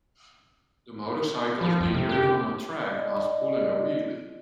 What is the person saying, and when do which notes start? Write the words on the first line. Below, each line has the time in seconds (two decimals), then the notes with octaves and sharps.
The motorcycle is being ridden on a track whilst pulling a wheelie.
1.61 F3
1.81 F2
1.94 C3
2.09 G4
2.78 D5 D#5